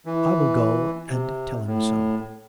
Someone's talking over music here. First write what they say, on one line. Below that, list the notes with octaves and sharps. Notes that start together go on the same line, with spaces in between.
I will go and tell him so.'
E3
C3
A2